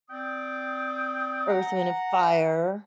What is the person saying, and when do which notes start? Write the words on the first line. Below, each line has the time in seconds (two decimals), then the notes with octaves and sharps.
Earth, Wind& Fire,
0.10 C4 D5 G5 D#6
1.48 F#5 A#5